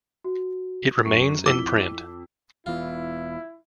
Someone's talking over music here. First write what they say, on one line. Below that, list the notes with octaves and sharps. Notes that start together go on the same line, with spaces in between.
It remains in print.
F#4
F#2 C#6
F2 E4 D6 E6 B6
E1 E3 B3 E4 F4